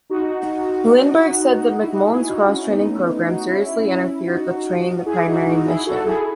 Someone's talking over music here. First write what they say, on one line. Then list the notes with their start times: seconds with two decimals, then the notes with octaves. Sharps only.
Lindbergh said that McMullen's cross-training program seriously interfered with training the primary mission.
0.10 D#4 F#4
1.82 E4
1.88 D#4 F#4
2.09 E4 G#4
2.29 D#4 F#4
2.48 C#4 E4
2.68 B3 D#4
2.80 B3
2.88 A3 C#4
3.08 B3 D#4
3.28 D#4 F#4
3.47 C#4 E4
4.27 D#4 F#4
5.06 E4 G#4
5.26 D#4 F#4
5.46 D#4 F#4
5.67 E4 G#4
5.86 F#4 A4
6.06 E4 G#4